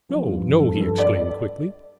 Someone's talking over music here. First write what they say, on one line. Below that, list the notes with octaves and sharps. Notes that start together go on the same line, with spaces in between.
"No, no," he exclaimed quickly.
F3
G2
F3
F3 A4
G2
A4
D5